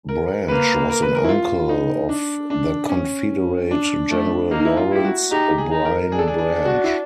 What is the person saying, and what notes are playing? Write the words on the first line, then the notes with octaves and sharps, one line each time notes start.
Branch was an uncle of the Confederate General Lawrence O'Bryan Branch.
A#4
A#3 B4
A#4
B4
A#4
E4
F4
D#4
D4
D4
C#4
D4
A3
A#3 D#4
E4
F4
E4 G4
F#4
D#4 G4
G4
G#4
D#4
A#4
D4 G#4
A4
G#4
G#4
F#4
E4